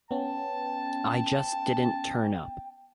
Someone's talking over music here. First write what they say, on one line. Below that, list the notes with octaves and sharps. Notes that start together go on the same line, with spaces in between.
I just didn't turn up.
B3 C#4 G5 A5